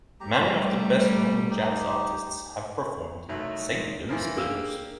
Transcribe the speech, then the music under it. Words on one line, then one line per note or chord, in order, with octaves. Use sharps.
Many of the best-known jazz artists have performed "Saint Louis Blues".
G3 A3 G4 A#5
D#4 G4
C2 F#3 A3 D#4
E3 F3 A#4
A#3 D4 G4 G#4 A#4 E6